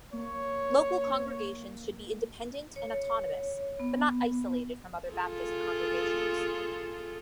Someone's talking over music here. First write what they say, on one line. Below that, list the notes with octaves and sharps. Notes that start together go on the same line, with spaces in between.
Local congregations should be independent and autonomous, but not isolated from other Baptist congregations.
A#3 C#5
C#5
B3
F4 G#4 A4